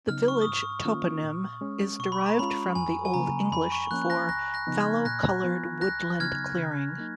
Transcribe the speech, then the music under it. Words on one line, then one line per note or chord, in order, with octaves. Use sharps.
The village toponym is derived from the Old English for "fallow-coloured woodland clearing".
C#3 F#3 B3 D#4 F6
C#6
D#6
G#2
C#6
D#3 A#3 C#4 F4
A#2
G#3 C#4
B2 C#6
B5
A#5
G#3 C#4 F4 B5
F2 G#5
G#5
C#3 F#3 A#3 A#5
F2 B5
C#6
F3 A#3 C#4 F#6
F#6 A#6
C#2 F#6 A#6
F#6 A#6
C#3 F3 B3 D#4
F6 G#6
A#2 F#6 A#6
F3 B3 F4
C#2 F#6 A#6
C#3 F#3 B3 D#4 F6 G#6
C#3
F#3 A#3 D#4